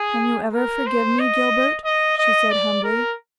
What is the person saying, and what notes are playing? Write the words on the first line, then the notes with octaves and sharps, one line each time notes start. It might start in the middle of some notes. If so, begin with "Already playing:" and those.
"Can you ever forgive me, Gilbert?" she said humbly.
Already playing: G#4
A#4
C5
D#5
D#5
D#5
D5
A#4